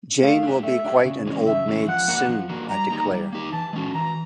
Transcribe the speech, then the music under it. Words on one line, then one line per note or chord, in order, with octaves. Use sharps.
Jane will be quite an old maid soon, I declare.
A3 F5
D4 G4
A3 E5
D4 G4
C#3
E3 G#3 C#4
C#3 E5
E3 G#3 C#4
F3 F#5
A#3 D4 F#4 A#4
F3
A#3 D4 F#4 A#4
G3 A#5
A#3 D#4 G4
G3
A#3 D#4 G4
E3 A5
G#3 C#4 F#4
E3 A#5